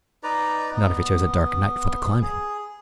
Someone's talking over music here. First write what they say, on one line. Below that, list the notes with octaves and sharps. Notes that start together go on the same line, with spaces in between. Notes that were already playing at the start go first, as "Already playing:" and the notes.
"Not if he chose a dark night for the climbing."
D#4 B4 D5 A#5
B3
G#4